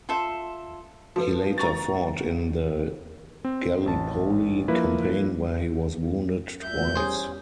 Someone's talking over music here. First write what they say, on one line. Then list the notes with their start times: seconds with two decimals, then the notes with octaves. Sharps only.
He later fought in the Gallipoli campaign where he was wounded twice.
0.09 F4 A4 E5
1.16 F3 F#4 A4 B4
1.58 A#5 C#6 A6
3.44 C4
3.86 A1 A5
4.68 F3 A#3 E4 B4
6.63 D2 A#2 E5 G6
6.96 E2 G3 C#4 G#4 C5